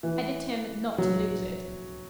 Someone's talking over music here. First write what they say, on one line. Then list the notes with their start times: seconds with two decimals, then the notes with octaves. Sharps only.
I determined not to lose it.
0.03 E3
0.98 F#3